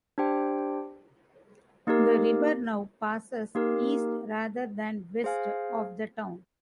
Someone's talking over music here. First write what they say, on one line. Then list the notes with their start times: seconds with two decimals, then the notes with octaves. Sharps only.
The river now passes east rather than west of the town.
0.18 D4 G4 C5 G5
1.87 A#3 D#4 G4 A#4
3.55 A#3 D#4 G4 A#4
5.24 G#4 C5 F5 G#5